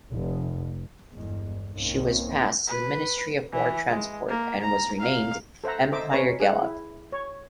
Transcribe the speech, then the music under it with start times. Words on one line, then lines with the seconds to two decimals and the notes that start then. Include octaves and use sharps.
She was passed to the Ministry of War Transport and was renamed "Empire Gallop".
0.11 F1
1.13 G1 E2 G#3
1.71 C2 G#2 D#3 A#3 C4 C#4
2.67 B4
3.53 E3
3.90 G#3
4.28 A#3
4.62 A#5
5.00 F5
5.64 A4 C5 E5 F#5 A#5
5.92 D#4 A4 C5 D#5 E5 D6
6.10 C#4 B4 C#5 A#5
6.40 G#4 F#5
6.63 E4
7.12 C#5